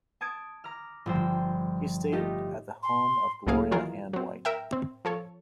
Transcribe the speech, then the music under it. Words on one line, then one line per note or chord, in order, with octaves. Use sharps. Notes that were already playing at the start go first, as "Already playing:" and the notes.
He stayed at the home of Gloria Ann White.
A5 D#6 G#6 D7
A#5 D6 F6
G1 F3 C5 G5
A3 D#4 F4 G4 D#5
C6
C#2 A2 F#3 A#3 G#4 F5
D#3 E3 F#3 F4 G#4 A#4
F#3 C4
A#4 E5 G5
C4
F3 A4 C#5